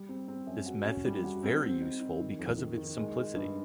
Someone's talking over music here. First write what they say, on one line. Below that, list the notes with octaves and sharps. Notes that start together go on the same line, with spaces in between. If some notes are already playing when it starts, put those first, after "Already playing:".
This method is very useful because of its simplicity.
Already playing: G3
C4
C4
F#2
F#4
C#4
G3
F#4
C4
C4
D#4
D#4
D#3
F2
D#3
D#3
G#3
G#3
G2